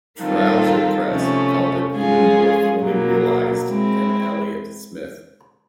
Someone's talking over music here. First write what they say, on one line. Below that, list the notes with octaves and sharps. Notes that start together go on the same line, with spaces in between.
"Trouser Press" called it "even more fully realized" than "Elliott Smith".
D#3 G3 C4 F4 A4
C3 F3 A3 C#4
G#3 C#4 F4 G#4
B2 F#3 A#3
G#3 C4 E4